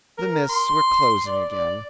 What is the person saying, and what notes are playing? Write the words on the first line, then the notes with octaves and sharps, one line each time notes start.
'The mists were closing again.
A#4
C6
D5
D5